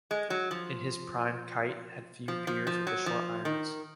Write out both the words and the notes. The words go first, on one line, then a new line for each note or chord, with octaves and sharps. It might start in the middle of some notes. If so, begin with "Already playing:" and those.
In his prime Kite had few peers with the short irons.
G#3
F#3
F3
F3
F3
F3
F#3
F3
D#3